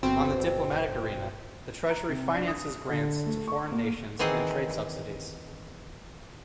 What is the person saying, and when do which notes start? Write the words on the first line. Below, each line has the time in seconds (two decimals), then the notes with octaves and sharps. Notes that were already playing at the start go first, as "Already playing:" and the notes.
On the Diplomatic arena the treasury finances grants to foreign nations and trade subsidies.
0.03 G1 B2 C4
1.90 A#5
2.09 C3
2.33 D4
2.48 D#6
2.88 D3
3.26 A3
3.47 C#6
3.71 A#3
4.19 D#3 E3 C4 G#4 F#5